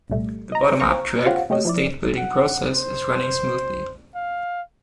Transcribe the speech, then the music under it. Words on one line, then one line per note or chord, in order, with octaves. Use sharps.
The bottom-up track — the State-building process — is running smoothly.
C2 A#2 G3 A3
D#5 A#5
C5 F5 A#5 C#6
F4 G4 C5 C#5 F5 F#5
A3 G4 C#5 D#5
F3 E4 D5
F#5
C5
F5